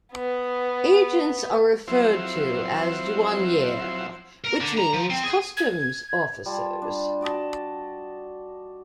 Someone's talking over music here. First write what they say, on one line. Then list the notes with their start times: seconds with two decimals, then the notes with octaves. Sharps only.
Agents are referred to as "douaniers", which means customs officers.
0.13 B3
1.88 F3 F#3 C4 E4 C5
4.44 A#4
4.61 D3
4.77 A#5
4.93 F3
5.10 C4
5.24 G#4
5.57 G#6
6.46 G3 F4 A5
6.82 G3 D4
7.21 F#4 D5 D#5 A5